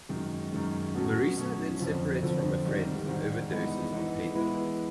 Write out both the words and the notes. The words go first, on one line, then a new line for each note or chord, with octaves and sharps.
Marissa then separates from her friends and overdoses on pain killers.
F#2 D#3 G#3
F#2 D#3 G#3
B2 F#3 A3 C#4
B2 F#3 A3 C#4
F2 D3 F3
F2 D3 F3
G#2 D#3 G3
G#2 D#3 G3
E3 G#3 B3 D#4
E3 G#3 B3 D#4
E3 G#3 B3 E4